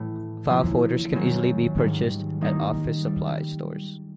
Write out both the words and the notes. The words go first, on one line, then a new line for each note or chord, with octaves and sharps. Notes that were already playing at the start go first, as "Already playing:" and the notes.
File folders can easily be purchased at office supply stores.
Already playing: A2 E3 A3
D3 F3 A#3 C#4 E4
F#2 D#3 F#3 A#3
G#2 D#3 G3
D#3 G3 A#3 D#4
G3